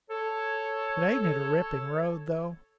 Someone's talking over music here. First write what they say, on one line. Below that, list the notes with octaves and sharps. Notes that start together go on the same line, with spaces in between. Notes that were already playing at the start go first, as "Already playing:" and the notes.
But ain't it a ripping road, though?
A4 C#5